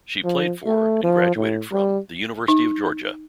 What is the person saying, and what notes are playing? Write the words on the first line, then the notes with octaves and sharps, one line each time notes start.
She played for, and graduated from, the University of Georgia.
F3
A3
F3
A2
G3
D#4